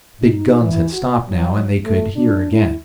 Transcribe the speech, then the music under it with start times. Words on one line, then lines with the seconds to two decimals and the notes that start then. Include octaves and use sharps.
The big guns had stopped now and they could hear again.
0.22 D#4
0.62 E3
0.93 F#4
1.28 F#3
1.84 A3
2.16 D4
2.52 E4